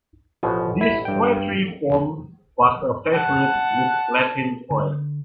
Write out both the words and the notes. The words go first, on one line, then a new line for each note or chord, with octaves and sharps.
This poetry form was a favorite with Latin poets.
A1 B2 F3 G#5
E4 B6
G2 G5
F#5 A5
D3